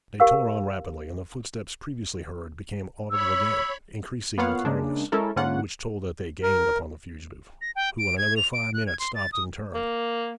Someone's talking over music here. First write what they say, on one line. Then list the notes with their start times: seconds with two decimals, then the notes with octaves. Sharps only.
They tore on rapidly, and the footsteps previously heard became audible again, increasing in clearness, which told that they gained upon the fugitive, who in another five minutes stopped and turned.
0.20 G4 A#4 F5 E6
3.11 C#5 B5 E6
4.38 A#3 B3 F4 C#5 F5 F#5
4.65 C#3 G#3 A#3 D4
5.12 G#3 C#4 E4 A4 A#4
5.36 G#2 D3 A#3 C#4 F4 F#5
6.43 A#4
7.61 A#6
7.76 G5
7.99 D7
8.18 G#6
8.37 F7
8.54 D7
8.74 F#6
8.87 G#6
8.99 C6
9.15 A6
9.33 D#6
9.74 A#3